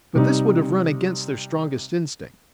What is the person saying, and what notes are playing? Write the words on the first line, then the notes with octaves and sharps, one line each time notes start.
But this would have run against their strongest instincts.
C3 G3 D#4